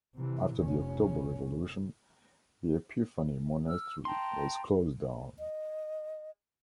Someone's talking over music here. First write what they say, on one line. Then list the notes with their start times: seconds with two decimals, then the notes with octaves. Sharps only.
After the October Revolution, the Epiphany monastery was closed down.
0.15 C3 E3
0.59 F1 C#4
3.68 E6 F6
4.05 G5 A5 A#5 C6
5.39 D#5